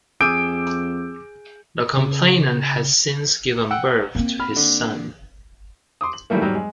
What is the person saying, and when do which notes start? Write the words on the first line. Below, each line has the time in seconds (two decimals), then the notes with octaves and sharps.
The complainant has since given birth to his son.
0.21 F2 G#4 D6 E6 G6 D7 D#7
1.97 C#3
3.71 F#5 G5 E6
4.15 A#3 C4
4.40 B5 F6
4.56 D3
6.01 C6 D6 D#6
6.13 F#7
6.30 D#3 E3 F#3 G3 A3 A#3
6.42 G#2 F#3 G3
6.55 G#3